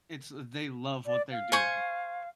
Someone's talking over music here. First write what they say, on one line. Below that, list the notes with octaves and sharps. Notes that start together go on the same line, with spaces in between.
It's they love what they're doing.
D5
F5
C5 G#5 C#6